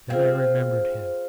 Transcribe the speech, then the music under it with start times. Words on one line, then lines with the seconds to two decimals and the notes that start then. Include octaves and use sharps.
Then I remembered him.
0.09 C4 F4 G#4 C5 F5